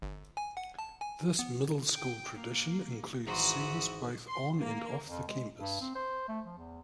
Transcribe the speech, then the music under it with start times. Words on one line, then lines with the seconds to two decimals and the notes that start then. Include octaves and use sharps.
This Middle School tradition includes service both on and off the campus.
0.02 G1
0.37 G#5
0.57 F#5
0.79 A5
1.01 G#5
1.39 B3
1.95 G5
2.36 A#3
3.26 G#1 E3 F#4 A#5 C6 D#6
4.28 C6
4.59 A#3
5.08 F2
5.28 G#3
5.58 G2
5.81 C4
5.95 C5
6.28 A3
6.45 F3
6.58 E2